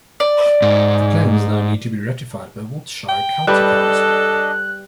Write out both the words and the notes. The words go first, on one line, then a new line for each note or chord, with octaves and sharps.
The plans now need to be ratified by Wiltshire County Council.
D5
G#2
G5
G3 D4 A4 B4 D#5 F#6